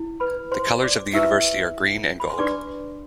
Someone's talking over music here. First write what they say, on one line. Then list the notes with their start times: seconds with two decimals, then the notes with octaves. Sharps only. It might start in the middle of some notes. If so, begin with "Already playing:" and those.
The colors of the university are green and gold.
Already playing: E4
0.20 B4 B5
0.52 C5 C6
0.82 D5 D6
1.13 E4 G4 B4 E5 E6
2.20 B5
2.30 C6
2.38 D4 G4 B4 D5 D6